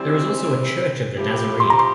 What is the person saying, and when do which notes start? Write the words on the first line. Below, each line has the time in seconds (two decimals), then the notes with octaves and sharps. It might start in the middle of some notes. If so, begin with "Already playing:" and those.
There is also a Church of the Nazarene.
Already playing: E3 G3 C4
1.16 F3 C4 E4 G4
1.60 C6
1.70 A#5
1.79 C6